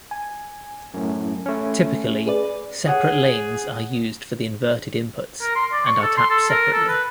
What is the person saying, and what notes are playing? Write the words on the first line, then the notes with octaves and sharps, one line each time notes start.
Typically, separate lanes are used for the inverted inputs and are tapped separately.
G#5
F#2 A2
A3 C#4
G#4 B4 D5
G#4 C#5 F#5
A#4
C6
D5
C#6
A4
C6
A4
A#4
A4
B4